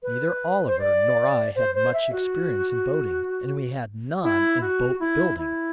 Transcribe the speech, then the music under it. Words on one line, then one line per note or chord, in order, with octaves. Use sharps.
Neither Oliver nor I had much experience in boating, and we had none in boat building.
B4
C5
D5
C5
C5
E5
F#4
E4
F#4
E4
E4